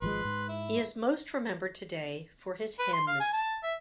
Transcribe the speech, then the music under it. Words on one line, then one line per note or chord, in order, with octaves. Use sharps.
He is most remembered today for his hymns.
G#1 F3 G#3 B4 C6
G#2
E4
B4
C6
F5
G#5
A5
E5